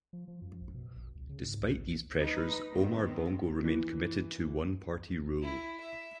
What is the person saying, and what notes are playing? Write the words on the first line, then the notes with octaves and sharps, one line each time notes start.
Despite these pressures, Omar Bongo remained committed to one-party rule.
F3
F3
F#2
A#1
B2
A#1
C#2
C#3
G#2
C#2
A1
D#4 B4
D#3 B3 C4
E3
E4
E5